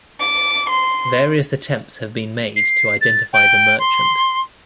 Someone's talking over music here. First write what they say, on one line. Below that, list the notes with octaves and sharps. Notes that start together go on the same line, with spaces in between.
Various attempts have been made to identify the merchant.
D6
C6
C7
A6
G5
C6